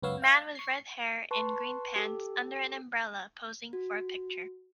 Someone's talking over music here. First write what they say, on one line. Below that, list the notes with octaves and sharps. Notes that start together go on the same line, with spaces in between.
Man with redhair in green pants under an umbrella posing for a picture.
C#2 F#2 B3 C#5 F5 E6
F5
C#6 C7
B4 A5 C6 C#6
G4 A4
F#4